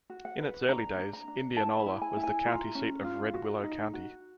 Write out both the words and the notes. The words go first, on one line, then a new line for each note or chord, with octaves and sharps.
In its early days, Indianola was the county seat of Red Willow County.
F#4
F#5
B4
D4 A#5
D4
A#5
D4
E4 A5
B5
E4
G#5
E4
G#5
F4 A#5
C#4
F4
F#4
D#4
F#4